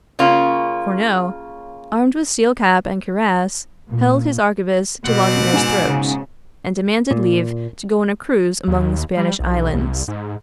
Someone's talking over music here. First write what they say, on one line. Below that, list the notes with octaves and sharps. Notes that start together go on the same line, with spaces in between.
Fourneaux, armed with steel cap and cuirass, held his arquebuse to Laudonniere's throat, and demanded leave to go on a cruise among the Spanish islands.
C#3 A#3 C#4 F4
A#2
B2 C4 D5 F#5
G#2 G#5 E7
C#3
A#2
D#2
G3
B1
C2
G#2